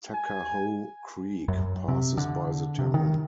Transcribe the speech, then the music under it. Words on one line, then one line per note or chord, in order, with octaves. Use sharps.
Tuckahoe Creek passes by the town.
G#5
F#2
C3
D3
C3
D#3